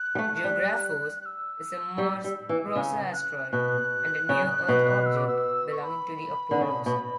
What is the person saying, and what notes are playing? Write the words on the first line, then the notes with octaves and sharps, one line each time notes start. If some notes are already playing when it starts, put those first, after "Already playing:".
Geographos is a Mars-crosser asteroid and a near-Earth object belonging to the Apollos.
Already playing: F#6
G3
A3
G3
F#6
E6
G3
G3
E3
C#3
F#6
B2 F#6
C#3
B2
E6
D6
E6
C#6
B5
D3
C#3
B2